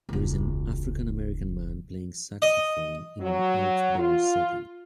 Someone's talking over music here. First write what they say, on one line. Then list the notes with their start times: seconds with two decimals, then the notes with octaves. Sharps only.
There is an African American man playing saxophone in an outdoor setting.
0.09 E1 C#2
2.42 D#5
3.21 F#3
3.98 F4